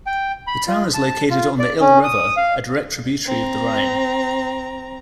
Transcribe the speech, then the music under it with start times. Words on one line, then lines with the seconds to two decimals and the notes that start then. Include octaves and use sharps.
The town is located on the Ill River, a direct tributary of the Rhine.
0.06 G5
0.47 B5
0.68 F4
0.94 A5
1.30 F4
1.59 D5
1.80 C#4
2.04 D#6
2.37 F5
3.26 C4 A#5